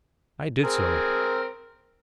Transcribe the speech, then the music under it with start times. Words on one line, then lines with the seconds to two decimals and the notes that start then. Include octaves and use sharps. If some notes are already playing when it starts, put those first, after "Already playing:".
I did so.
0.64 C4 G#4 A#4